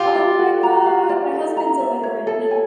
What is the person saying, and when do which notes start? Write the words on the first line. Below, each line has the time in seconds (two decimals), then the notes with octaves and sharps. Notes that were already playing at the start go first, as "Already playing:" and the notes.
Oh my god! My husband's a veteran.
Already playing: F4 G4 F5
0.15 D5
0.39 A4
0.63 A#5
0.86 F5
1.09 D5
1.33 A4
1.57 A#5
1.80 E5
2.03 C#5
2.27 A4
2.51 G#5